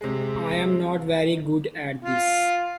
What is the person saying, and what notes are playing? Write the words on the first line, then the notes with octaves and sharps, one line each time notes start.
I'm not very good at this.
C3 G#3
F4